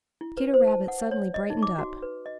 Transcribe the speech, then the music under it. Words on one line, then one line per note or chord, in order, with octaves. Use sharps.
Peter Rabbit suddenly brightened up.
E4
B4
C5
A5
F#5
C#5
D#5
D#4
D6
F#4
B4
D#5